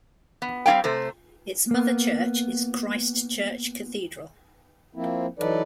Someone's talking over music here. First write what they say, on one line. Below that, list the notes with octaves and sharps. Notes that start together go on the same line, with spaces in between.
Its mother church is Christ Church Cathedral.
B3
G3 C4 C#4 F5 G5
C3 A3 C5
A#3 B3
F3 A#3 C4 E4
E3 F#3 D#4 A4 B4 D5